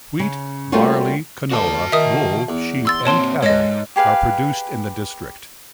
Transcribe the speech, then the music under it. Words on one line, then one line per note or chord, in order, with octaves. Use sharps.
Wheat, barley, canola, wool, sheep and cattle are produced in the district.
C#3
G3 A3 A#3 C#4 F4 F#4
D2 F#4 A5
D#3 E5 D#6
E2
C6 E6 A6
A#2 C4 C#5 A5 C6
G#2 A4 C#5 D#5
G4 G#4 B4 F5